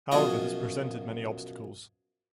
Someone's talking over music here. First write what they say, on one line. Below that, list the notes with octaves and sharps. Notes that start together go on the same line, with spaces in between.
However, this presented many obstacles.
F#2 B2 F3 G#4 D#5 C#6